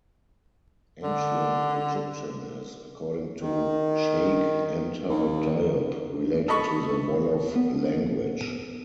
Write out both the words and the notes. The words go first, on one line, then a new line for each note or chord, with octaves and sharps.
Ancient Egyptian is, according to Cheikh Anta Diop, related to the Wolof language.
D3
D#3
D#2
A4 D#5 B5 C#6
B3